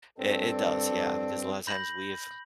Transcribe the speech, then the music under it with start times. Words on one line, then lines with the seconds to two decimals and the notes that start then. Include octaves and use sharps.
It it does, yeah, because a lotta times we've,
0.18 G2 C4 A4 D5
1.67 B5 G6 A#6 F#7